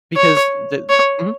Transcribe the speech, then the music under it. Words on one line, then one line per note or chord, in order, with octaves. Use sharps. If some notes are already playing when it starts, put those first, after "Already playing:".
because the mhm.
C#5
C#5